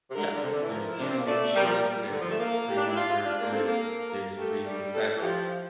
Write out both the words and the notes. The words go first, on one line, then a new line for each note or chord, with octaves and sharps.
Yeah. There's animation, there's creating characters, there's creating sets,
C3
D3 A#4
D3
C3 A4
D3
E3
F3 A#4
E4
D4 C5
C4
A#3
A3 D5
G3 A#4
F3
G3
D3
F3
A3
A#3 A#4
G4
D4
E4
F4
F4
D4
A#3
C4 A4
A#3
A#4
A3 G4
G3
A4
E3
F3 G4